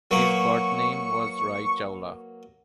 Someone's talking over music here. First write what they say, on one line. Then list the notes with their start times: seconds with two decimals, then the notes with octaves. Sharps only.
His birth name was Rai Chawla.
0.11 F#3 A#3 B4 C#6